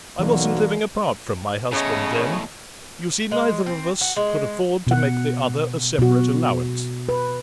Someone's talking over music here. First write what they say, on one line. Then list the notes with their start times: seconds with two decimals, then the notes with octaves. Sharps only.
I wasn't living apart from my husband then; you see, neither of us could afford to make the other a separate allowance.
0.19 B1 D3 E3 A#3 F#4
1.72 E2 A2 C#3 C#5 D#5
3.31 G#3
3.66 C4
4.01 F#4
4.16 G#3
4.87 B2 F#5
5.99 B2 F#4
7.09 B4